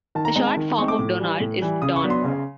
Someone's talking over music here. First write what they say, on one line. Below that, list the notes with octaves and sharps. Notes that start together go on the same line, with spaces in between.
A short form of "Donald" is "Don".
D#3 A5
A#5
G#3 C4 D#4 A#5
A5
D#3
G#3 C4 D#4 C#6
D6
A2
E3 G3
A2
E3 G3
C#3 D#6
C#6
F#3 B3 D4
C6
C#3